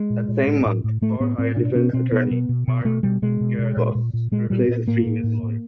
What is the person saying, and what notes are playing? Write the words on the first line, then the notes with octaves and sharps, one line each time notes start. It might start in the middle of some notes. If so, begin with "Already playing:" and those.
That same month, Thor hired defense attorney Mark Geragos, to replace his previous lawyer.
Already playing: G#3
A#2
A#2
A2
A2
A2
A2 A3
A2 B3
A2 C4
B2 D4
B2 C#4
B2 C4
B2 B3
B2
B2
B2
B2 A3
B2 G3
B2 G#3
B2
B2
A#2
A#2
A#2
A#2 G#3
A#2 G3
A#2
A2 A#3
A2
A2
A2